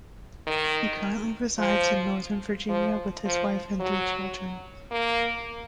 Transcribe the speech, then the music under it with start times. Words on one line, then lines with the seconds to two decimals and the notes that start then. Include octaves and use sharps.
He currently resides in Northern Virginia with his wife and three children.
0.46 D#3
1.58 F3
2.69 F3
3.25 F3
3.80 F#3
4.91 A#3